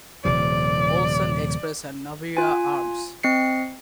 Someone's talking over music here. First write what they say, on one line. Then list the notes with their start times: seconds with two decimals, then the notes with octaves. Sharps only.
Olsen Express and Naviera Armas.
0.25 D#1 C3 F3 D5
2.37 F4 G#5
3.23 C4 D#5 C7 C#7